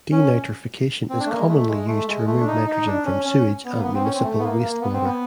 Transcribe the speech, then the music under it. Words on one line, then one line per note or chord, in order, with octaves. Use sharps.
Denitrification is commonly used to remove nitrogen from sewage and municipal wastewater.
C#4
C4
D4
A3
A#3
G#3
A3
G#3
A3
G#3
A3
D4
D#4
D#4
D4
C#4
C#4
B3
A#3
B3
C4
C#4
C4
A3
B3
A#3
A#3
B3
C4
B3